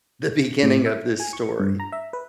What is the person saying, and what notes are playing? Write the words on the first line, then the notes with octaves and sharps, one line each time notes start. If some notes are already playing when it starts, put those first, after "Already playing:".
the beginning of this story.
A2
E5
G#5
C#6
G2
A#5
E5
B4